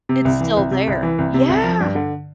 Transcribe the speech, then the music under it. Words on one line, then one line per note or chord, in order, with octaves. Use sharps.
It's still there, yeah.
C3
C2
E3
C2
C3
C2
E3
C2
C3
C2
F3
G2
D3